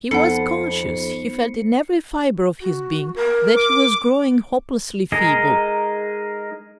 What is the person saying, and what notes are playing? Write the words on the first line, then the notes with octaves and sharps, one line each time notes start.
He was conscious, he felt in every fibre of his being that he was growing hopelessly feeble.
F2 B3 D#4 A4 F#5 B5 C7 C#7
F#4
A#4
D6
G#3 D#4 G#4 A#4 D#5